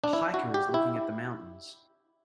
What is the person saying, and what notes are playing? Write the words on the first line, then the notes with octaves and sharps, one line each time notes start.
A hiker is looking at the mountains.
D4
E4
F#4
G4
E4